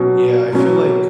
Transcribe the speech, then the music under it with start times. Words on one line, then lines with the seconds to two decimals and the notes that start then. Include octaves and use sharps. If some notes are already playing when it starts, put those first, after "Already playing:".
yeah, I feel like
Already playing: B2 F#3 C#4
0.53 B2 F#3 C#4